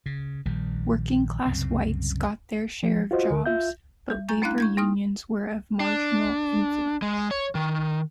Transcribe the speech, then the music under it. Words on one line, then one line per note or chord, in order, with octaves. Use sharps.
Working-class whites got their share of jobs, but labor unions were of marginal influence.
C#3
A#1 D#3 G3
C2 F#2 C#3 C4
F3
F4 F#4 C5 D#5
D2 D3 A#4
F4 E5 G6
G3
G#5 A#5 C#6 G6 A6
A3 C#4 D4 E4 F5 F#6
C#6 G6 G#6
A#3 D#4 D#6 F6
D4
G#3
C#5
D#3